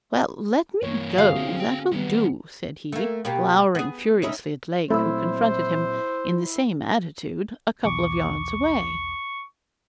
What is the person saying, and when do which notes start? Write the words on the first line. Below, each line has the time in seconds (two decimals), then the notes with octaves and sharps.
'Well, let me go; that will do,' said he, glowering furiously at Lake, who confronted him, in the same attitude, a couple of yards away.
0.83 G2 E3 A#3 C#5
1.18 D3 F#4 G#4 F5
1.36 G3 C4 A#4
1.56 C#4 G5
1.92 D#3 G3 B3 F#4
2.92 A3 A#3
3.25 B2 A#3 G4
3.75 B3 G#4
4.22 C#4 D#4 E4
4.90 A#2 F#3 A3 C4 E4 C5 E5
7.84 B1 E2 C#6 D6